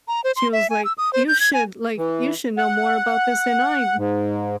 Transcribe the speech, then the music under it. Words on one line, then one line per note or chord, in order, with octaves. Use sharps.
she was like, "You should like, you should know more about this than I"
A#5
C5
C6
E5
G#5
E6
D#6
C5
G6
G#6
G#5
E3
F#5
G#2